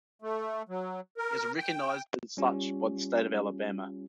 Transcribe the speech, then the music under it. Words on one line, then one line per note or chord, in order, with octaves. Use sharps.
He is recognized as such by the state of Alabama.
A3
F#3
A#4
G5
G3 C#4 F4 G4